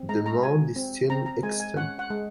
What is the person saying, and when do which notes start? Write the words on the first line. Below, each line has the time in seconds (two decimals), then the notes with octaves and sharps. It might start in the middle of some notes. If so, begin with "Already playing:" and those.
The mound is still extant.
Already playing: C4
0.09 G#3 A#5
0.26 A#5
0.43 F#4 G#5
0.76 C4
1.10 C4 A#5
1.26 A#5
1.43 G#3 G#5
1.60 G#5
1.76 C#4 F#5
1.99 F#5
2.10 G#3